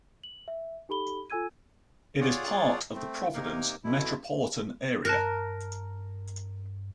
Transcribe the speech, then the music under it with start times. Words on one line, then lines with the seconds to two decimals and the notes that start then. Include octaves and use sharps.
It is a part of the Providence metropolitan area.
0.24 F#7
0.48 E5
0.89 D#4 G4 A4 B5 G7
1.30 F4 A4 G#5 E6 G#6 D#7
2.21 F4 G#4 C#5 D5 F#5
2.95 A3 C4
3.35 C3 A#3 D#4 A#4
3.84 F2 B2 E4
5.05 G2 A#4 A5 F#6 A#6